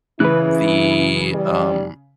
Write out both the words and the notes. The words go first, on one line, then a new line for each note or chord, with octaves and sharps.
The um
C#3 E3 E4 B4 F#6
G3